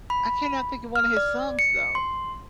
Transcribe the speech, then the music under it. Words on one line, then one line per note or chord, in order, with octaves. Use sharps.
I cannot think of one of his songs though.
B5
F6
D5
C#7
C6